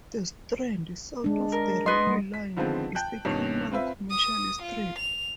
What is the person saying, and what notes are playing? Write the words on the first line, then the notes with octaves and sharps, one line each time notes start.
The Strand, south of the railway line, is the primary commercial strip.
G#3 D4
A#4
B3 D#5 C6
G3
B6
D3 D#3 F3 G#3 B3 C4
G5 A5 F#6 G6
G2 B2 D#3 C#4
C4 F4 B4 E5
D#6
F4
F7